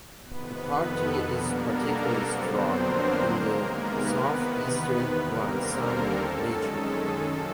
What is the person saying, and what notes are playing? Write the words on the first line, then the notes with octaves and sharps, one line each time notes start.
The party is particularly strong in the southeastern Gyeongsang region.
F2 C3 D#3 B3 B4
A4
B2 G3 A#3 B3 D4 A#4
A4
F2 D3 F#3 B3 C4 D4 C5
A#3 A#4
C3 D#3 G#3 A#3 A#4
B3 B4
E2 C3 D#3
D#2 D3 G3 A#3 C4 A#4
A4
F#2 D#3 G#3 C#4
G#4
C3 D#3 F#3 A#3 A4